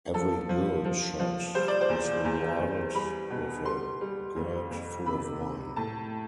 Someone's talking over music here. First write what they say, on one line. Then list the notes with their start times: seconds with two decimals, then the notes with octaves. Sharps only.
Every good shot was rewarded with a gourd full of wine.
0.14 F3 A4
0.49 F3
0.85 F3
1.19 F3
1.55 G3 C5
1.68 D5
1.81 C5
1.90 E2
2.25 E2
2.60 E2
2.95 G3 B5
3.30 B2
3.65 G3 C6
4.01 G3
4.36 F2
4.71 F2
5.06 C3 B5
5.41 C3
5.76 A2 A5